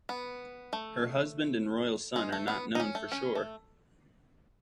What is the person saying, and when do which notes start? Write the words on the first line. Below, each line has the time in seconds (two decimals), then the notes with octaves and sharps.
Her husband and royal son are not known for sure.
0.09 B3
0.73 A3
2.16 G#3
2.32 A3
2.48 B3
2.75 D#4
2.80 C#4
2.95 A3
3.12 C#4
3.35 A3